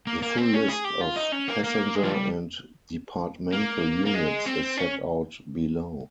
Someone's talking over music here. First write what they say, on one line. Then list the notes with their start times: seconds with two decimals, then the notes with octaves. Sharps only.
The full list of passenger and departmental units is set out below.
0.07 A#3
0.22 A#3
0.38 C4
0.54 C#4
0.69 G#4
0.85 G4
1.01 F4
1.16 D#4
1.32 C#4
1.48 A#3
1.64 A#3
1.95 G#3
2.04 F3
2.11 G3
3.53 A#3
4.07 A#3
4.15 G#3
4.46 C4
4.78 C#4